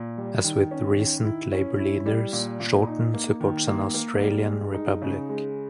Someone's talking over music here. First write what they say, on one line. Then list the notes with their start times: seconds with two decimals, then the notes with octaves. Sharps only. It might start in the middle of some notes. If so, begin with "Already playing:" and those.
As with recent Labor leaders, Shorten supports an Australian republic.
Already playing: A#2
0.18 G3
0.44 D#3
0.71 C#4
0.98 D#3
1.25 E4
1.52 C#4
1.79 E4
2.06 G3
2.33 A#2
2.60 A#2
2.87 D#4
3.14 A#3
3.40 D#3
3.67 A#3
3.94 A#3
4.21 G3
4.47 G#3
4.74 D#4
5.02 C#3
5.29 G#3